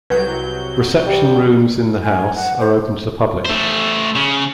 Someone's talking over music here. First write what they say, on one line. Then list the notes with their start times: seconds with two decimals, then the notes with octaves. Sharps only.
Reception rooms in the house are open to the public.
0.10 C2 F#3 B4 G6
1.06 G3
2.02 G#5
2.36 F#5
2.60 C5
3.46 A3 C5
4.16 C#3